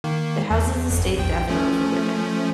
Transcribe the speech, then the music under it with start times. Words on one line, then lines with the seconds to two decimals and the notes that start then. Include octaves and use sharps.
It houses the state death row for women.
0.04 D#3 A#3
0.51 E2
0.90 G1 F2
1.16 A#1 E2 G5
1.48 F3 A3 C#4